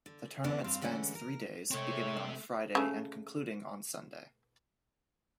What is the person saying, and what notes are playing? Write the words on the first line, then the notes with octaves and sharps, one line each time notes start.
The tournament spans three days, beginning on a Friday and concluding on Sunday.
D3
E3 B3 C#4 D4 D5
G2 C4 F5
D3 E3 G#3 A3 C#4
A#4
C3 G#3 A3 C4 C#5 E5
C#3 A3